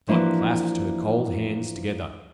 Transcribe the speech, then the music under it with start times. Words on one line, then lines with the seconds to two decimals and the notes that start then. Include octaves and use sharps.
Dot clasped her cold hands together.
0.08 E3 F3 A#3 D4 E4 F#4